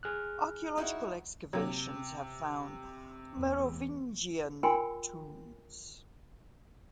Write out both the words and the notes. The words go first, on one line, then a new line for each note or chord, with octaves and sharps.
Archaeological excavations have found Merovingian tombs.
G#4 F6 F#6
D#4 E4 F#4
C3 F#3 A#3
E2
F4 A#4 G5 G#5 B5 C6